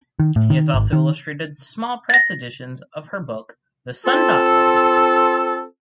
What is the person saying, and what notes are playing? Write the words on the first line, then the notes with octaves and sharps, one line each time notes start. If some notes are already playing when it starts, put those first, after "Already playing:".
He has also illustrated small press editions of her book "The Sundial".
D#3
A2
D#3
G#1
D#3
A6 A#6
C4 F4 A4